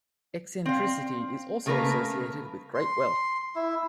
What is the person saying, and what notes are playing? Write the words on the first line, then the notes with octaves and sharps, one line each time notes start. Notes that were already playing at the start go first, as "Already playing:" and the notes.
Eccentricity is also associated with great wealth.
C4 F5
C#3 A3 A#3 F#4 A#4 B4
C6
E4